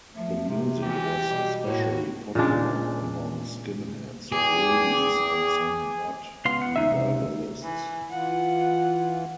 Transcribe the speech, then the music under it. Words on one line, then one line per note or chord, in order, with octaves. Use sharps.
The music was especially popular among skinheads, rudies and some mod revivalists.
F3 A3
C3
E3 F#3 G#3 G4
B2 G3
A2 A#3 F#4
A#2 C#3 G#3 D4
E2 G#4 G5 D6
C#2 B3 F5 C6
F#5
C#2 D#4 E5
C3
E3
E3 F4 F#5